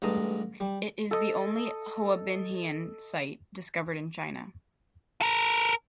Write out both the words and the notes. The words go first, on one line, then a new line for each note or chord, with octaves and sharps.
It is the only Hoabinhian site discovered in China.
A1 G2 G#3 A5 A#5 D#6
G3
A4 D#5
A4 A#4